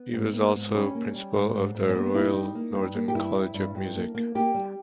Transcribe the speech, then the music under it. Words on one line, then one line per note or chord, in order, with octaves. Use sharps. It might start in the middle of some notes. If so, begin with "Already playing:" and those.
He was also principal of the Royal Northern College of Music.
Already playing: B3
G#2
A#3
G#2
G3 C#4
A#3
G3
G#2
G#2
G#2
C#4
A#3 B3
A#3 E4
D#4
G3
A#3
G2
A#3
G4
G2 E4
G2
G2
G2
A#3
A#3
A#3 G4
G3